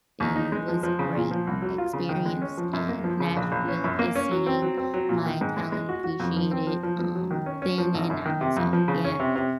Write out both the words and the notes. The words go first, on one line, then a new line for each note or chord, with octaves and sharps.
it was great experience in Nashville is seeing my talent appreciated, um, then and now, so, yeah.
D#2
D#4
G#3
F3
F3
C#3
A#2
F3
C2
F#3
F4
C#3
D#3
G#3
C#4
F3
F#2
A#3
F3
C#3
A#1
A#1
C#4
F#2
A#3
C#4
F#3
C4
F#3
C4
F#3
A#2
D#3
G#2
G#3
G#3
F#4
F#4
F2
F3
C4
F3
F3
F3
F#3
D#3
C#4
C#4
F3
G#1
F#2
D#3
C3
F2
F3
C#3
C#4
C3
C3